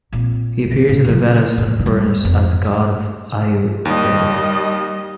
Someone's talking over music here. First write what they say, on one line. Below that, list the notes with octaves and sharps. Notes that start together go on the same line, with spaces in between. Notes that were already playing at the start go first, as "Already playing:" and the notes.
He appears in the "Vedas" and "Puranas" as the the god of Ayurveda.
A#2 C4
A2
C#3 F#3
A1 A2
E2 G3
F2
D#2 G3 D#5